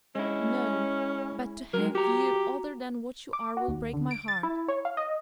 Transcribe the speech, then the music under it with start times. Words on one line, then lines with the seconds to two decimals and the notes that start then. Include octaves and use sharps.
'No! but to have you other than what you are will break my heart.
0.15 G#3 C#4 E4
1.73 F#3 G#3 A#4
1.95 F#4 G4 A#5
3.33 D6
3.57 F#4
3.68 D#2
3.93 D3
4.11 D7
4.28 A6
4.43 E4
4.68 C#5
4.85 F5
4.97 D#5